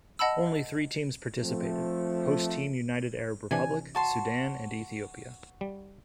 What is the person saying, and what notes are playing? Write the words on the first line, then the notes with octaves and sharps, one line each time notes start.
Only three teams participated: host team United Arab Republic, Sudan and Ethiopia.
D#5 F#5 A5 B5 E6
F3 A3 C4
C3 E3 D4 G#5
F#4 A5 C6
G3